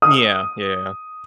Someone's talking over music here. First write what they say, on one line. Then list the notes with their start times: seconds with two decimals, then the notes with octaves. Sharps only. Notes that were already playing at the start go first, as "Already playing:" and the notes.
Mm, yeah, yeah.
0.02 D#6